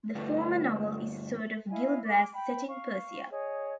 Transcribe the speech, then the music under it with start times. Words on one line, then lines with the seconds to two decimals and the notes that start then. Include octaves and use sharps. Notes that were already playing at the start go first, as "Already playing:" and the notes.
The former novel is a sort of "Gil Blas" set in Persia.
0.15 G2 D3 A3 D4 F4 B4
1.70 E4 D#5 F5 G#5
2.04 D6
2.32 G5 B5
2.68 F5 C#6
3.31 G#4 C#5 D#5